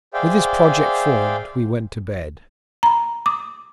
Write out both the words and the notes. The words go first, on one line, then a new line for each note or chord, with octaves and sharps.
With this project formed, we went to bed.
G#4 C5 D5 E5 F5 G5
A#5 B5
D6 D#6